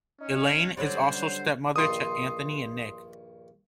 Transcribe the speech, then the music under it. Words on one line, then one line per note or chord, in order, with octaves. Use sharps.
Elaine is also stepmother to Anthony and Nick.
C#4 D#4
D3 F#3 G3 C#4 C5
A#1 G2 D#3 C6 D#6